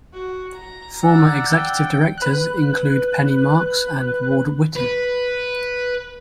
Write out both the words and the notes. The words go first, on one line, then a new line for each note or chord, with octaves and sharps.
Former executive directors include Penny Marks and Ward Whiting.
F#4
A#5
D5 F#5 E6
G5
B4 F#6
B4